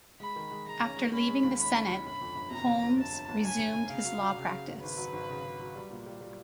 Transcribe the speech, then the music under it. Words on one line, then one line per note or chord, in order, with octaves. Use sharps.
After leaving the Senate, Holmes resumed his law practice.
G#3 B5
D#3
G#3
G#3 A#5
C#4
G#3
C#4 B5
G#3
D#2
C#4 B5
C#4
C#4
G1 B5
F2
G1
C3 A#5
G1
F2
G1 A5
G1
G1
G1 G#5
G1
G1
C#3 F5
F#3
F#3
C#3
C#3
G#1
G#1 B4
F#3
G#1
C#3
C#3
F#3
G3
A#2
G3
G3